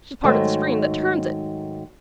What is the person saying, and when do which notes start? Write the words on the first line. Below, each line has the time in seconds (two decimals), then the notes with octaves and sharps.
She's part of the stream that turns it.
0.23 G#2 D#3 F#3 G#3 A3